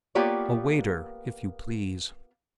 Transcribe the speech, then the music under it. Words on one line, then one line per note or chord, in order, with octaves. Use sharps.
A waiter, if you please.
A#3 B3 F4 G4 C#5 D5